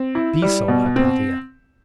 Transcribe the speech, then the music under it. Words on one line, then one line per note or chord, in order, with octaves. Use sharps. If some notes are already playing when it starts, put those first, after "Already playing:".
Be so, Hypatia....
Already playing: C4
E4
G3
B2
C4